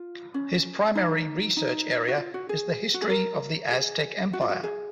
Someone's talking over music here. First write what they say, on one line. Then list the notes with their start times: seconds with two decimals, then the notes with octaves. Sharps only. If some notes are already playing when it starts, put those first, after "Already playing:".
His primary research area is the history of the Aztec Empire.
Already playing: F4
0.34 C#4
0.95 D#4
1.57 D#4
2.08 F#4
2.18 F4
2.34 F#4
2.49 G#4
2.94 F#4
3.02 G#4
3.10 A#4
3.71 G#4
4.33 F#4
4.41 F4
4.49 F#4
4.63 G#4